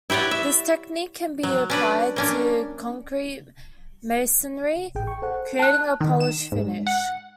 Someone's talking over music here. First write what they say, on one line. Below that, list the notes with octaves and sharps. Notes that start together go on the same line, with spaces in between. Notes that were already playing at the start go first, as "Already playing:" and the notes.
This technique can be applied to concrete masonry, creating a polished finish.
E4 G4 C#5 D5 F#5
E5
F#3
C#4 D4 B4
A#3 C#4 D4
A1 G#4 G5
G5 C#6
A4 C5 F#5
A5 F#6
D#3
E7
G#2
F#5